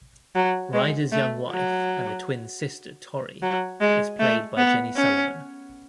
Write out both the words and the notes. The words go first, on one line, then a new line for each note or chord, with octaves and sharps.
Rider's young wife and the twins' sister, Torrie, is played by Jenny Sullivan.
F#3
G#3
A3
F#3
F#3
G#3
A3
B3
C#4